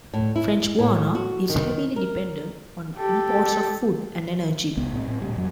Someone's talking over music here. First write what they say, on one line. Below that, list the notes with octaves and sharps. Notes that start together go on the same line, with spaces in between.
French Guiana is heavily dependent on imports of food and energy.
A2
E4
A2
F#4
D#3
A#4
G4 A4
C2 B3
A2 A#3 C4
A2 C4
D2 A#2 G3
F2 F#3